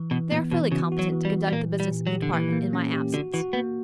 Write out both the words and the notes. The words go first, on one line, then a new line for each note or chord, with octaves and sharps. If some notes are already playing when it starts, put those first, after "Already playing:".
They are fully competent to conduct the business of the department in my absence.
Already playing: E3
B2 E3
A#2 B3
B2 E3
C#3 F#4
F#4
F#3
E3
G3
E3
G3
A#2 A#3
G4
G3
A#2
F#3
G4
D3
E3 A#3
A#3
C#4
G4
D3 F#4
E3 F#4
A#3 B3